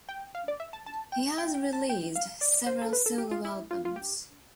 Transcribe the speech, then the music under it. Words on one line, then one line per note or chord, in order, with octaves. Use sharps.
He has released several solo albums.
G5
F5
D5
E5
A5
A5
G5
G5
G5
A5
G5
F5
D5
C5
A4
B4
A4
G4
F4
E4
F4
F4
G4